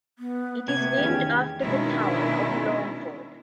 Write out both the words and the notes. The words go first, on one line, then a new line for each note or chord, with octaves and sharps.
It is named after the town of Longford.
B3
C3 A3 B3 G#6
E2 D#3 A3 C#4 G4
B2 D#3 G#3 C#4 D4 E4